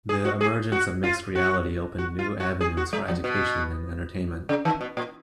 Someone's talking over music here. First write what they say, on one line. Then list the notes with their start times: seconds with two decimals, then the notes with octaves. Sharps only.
The emergence of mixed reality opened new avenues for education and entertainment.
0.09 G#4
0.25 F#4
0.41 G#4
0.72 F#4
1.03 F4
1.35 F#4
1.98 F#4
2.19 F4
2.40 F#4
2.61 G#4
2.77 F#4
2.93 G#3
3.08 F3
3.24 B2
4.49 C#3
4.65 D#3
4.81 B2
4.97 A#2